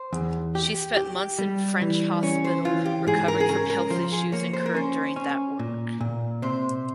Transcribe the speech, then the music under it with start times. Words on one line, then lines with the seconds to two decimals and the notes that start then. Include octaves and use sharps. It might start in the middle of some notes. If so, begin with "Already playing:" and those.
She spent months in French hospital recovering from health issues incurred during that work.
Already playing: C5
0.13 E2
0.55 G4
0.97 G4
1.39 G3
1.82 E3
2.23 C#4 C#5
2.44 C5
2.65 E3 F4
2.85 G4
3.07 G#2 G#4
3.28 A#4
3.40 G#4
3.49 C#4 A#4
3.70 A#4
3.90 F3 C5
4.12 G#4
4.32 A#3 C#5
4.53 C5
4.66 A#4
4.75 C#4 C5
5.16 C#4
5.59 A#2
6.01 A#2
6.42 C3 C5